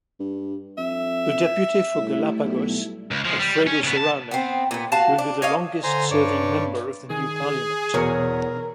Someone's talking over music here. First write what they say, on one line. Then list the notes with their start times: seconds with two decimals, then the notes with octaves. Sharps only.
The deputy for Galápagos, Alfredo Serrano, will be the longest-serving member of the new parliament.
0.20 G2
0.78 F2 E5
1.95 A2 G3 A3 E4
2.44 B1
3.11 C#2
3.25 F3 G#3
3.39 G3
3.67 C#4
3.83 C#3 B3
3.97 A5
4.31 B3 C4
4.71 A#2 B3
4.92 F#4 F5 A5
5.18 D4
5.42 C#5 D#5 F5
5.84 D3 C5 G#5 A#5
6.11 G2 C#5 D5
7.10 D#3 G#4
7.94 E2 B2 A#4 C#5